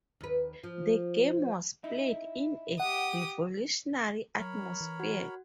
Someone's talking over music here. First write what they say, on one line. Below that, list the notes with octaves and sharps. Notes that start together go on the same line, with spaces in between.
The game was played in a revolutionary atmosphere.
D#2 B4
F3
D#4 E4
G4 F#5 D#6
F#3 A#4 C#5 B5
E3
F#4 F#5